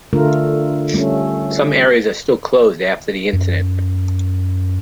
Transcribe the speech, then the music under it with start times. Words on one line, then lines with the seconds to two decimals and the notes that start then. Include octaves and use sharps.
Some areas are still closed after the incident.
0.13 D3 A3 F4 A#4
0.93 G3 A3 C#4
3.33 F#2